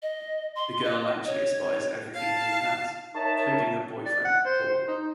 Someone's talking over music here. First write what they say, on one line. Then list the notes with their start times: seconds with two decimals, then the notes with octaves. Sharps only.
The girl actually aspires everything Mili has, including her boyfriend Paul.
0.02 D#5
0.56 C6
0.84 D#5
1.27 C#5
2.14 F5 A5
3.14 D#4 A#4 C#5 E5 A5
4.06 D5
4.25 F#5
4.46 C5
4.70 C5
4.88 D#4